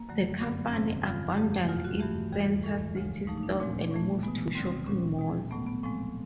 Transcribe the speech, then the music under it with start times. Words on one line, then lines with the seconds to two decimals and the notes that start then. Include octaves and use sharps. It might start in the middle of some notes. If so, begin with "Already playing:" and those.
The company abandoned its center-city stores and moved to shopping malls.
Already playing: A#3
0.09 F#2 D3 F#3 A3
0.40 G2 D3 F#3 B3
0.66 C#4
0.72 F2 C3 E3 C4
1.05 G2 D3 F3 G#3 F4
1.37 F2 C#3 F3 A3 G4
1.68 E2 B2 F#3 F4
1.84 F#4
2.00 G2 E3 A3 G4
2.32 D#2 C#3 E3 G#4
2.64 A2 E3 G#3 A4
2.96 D2 C#3 F3 G#3
3.27 A2 F3 A3 D#4
3.38 D#4
3.43 D4
3.60 A#2 F3 G#3 C4
3.91 A2 E3 A3
4.23 B2 G#3 B3
4.55 D2 D3 G3 C4
4.87 A#2 C#4
4.92 G3
5.19 B2 G#3
5.51 A2 F#3 A3 B3
5.66 B3
5.83 A2 F3 G#3 C4